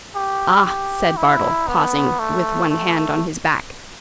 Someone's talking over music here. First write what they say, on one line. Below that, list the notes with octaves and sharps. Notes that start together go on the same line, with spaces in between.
"Ah!" said Bartle, pausing, with one hand on his back.
G4
G4
E4
B3
A3
A3